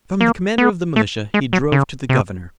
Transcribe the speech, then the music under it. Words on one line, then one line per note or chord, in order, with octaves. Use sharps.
From the commander of the militia he drove to the governor.
A#3
B3
A3
G#3
F#3
C#3
C3